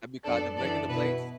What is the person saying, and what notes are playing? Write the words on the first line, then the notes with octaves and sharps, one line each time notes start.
Have you caught them licking the plates?
F#2 F#3 B3 D4 A4 D5
F#2 E3 B3 D4 A4 D5
B2 B3 E4 B4